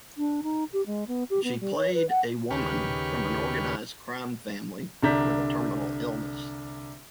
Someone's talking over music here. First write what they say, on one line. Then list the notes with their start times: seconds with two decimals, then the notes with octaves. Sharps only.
She played a woman from an organized crime family with a terminal illness.
0.17 D4
0.43 D#4
0.73 G4
0.86 G#3
1.07 B3
1.30 G4
1.43 B3
1.60 G3
1.77 C#5
1.93 B4
2.09 F#5
2.51 D#2 C#3 G4 B4 C#6 F6
5.03 C2 D3 D4 A#5 G6 B6